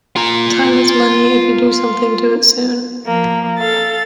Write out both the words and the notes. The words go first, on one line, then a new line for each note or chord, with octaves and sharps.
Time is money; if you do something, do it soon.
F4 A#5
F3 A#3
A4 F5 A6